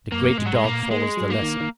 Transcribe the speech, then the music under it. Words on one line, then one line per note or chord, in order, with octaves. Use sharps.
The Greater Dog follows the Lesser.
F#2 A#3
G#2 G#3
F#3
G#3
A#2 A#3
G#3 A#3
F#3
A#3
D#3
D#3